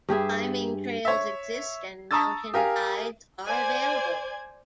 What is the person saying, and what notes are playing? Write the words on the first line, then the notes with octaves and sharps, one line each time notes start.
Climbing trails exist and mountain guides are available.
G2 G4 G#4 E5
C#5 E5
A5 A#5 C#6 D#6 E6 A6
G4 A#4 F5 G#5
C5 D5 G#5 G#6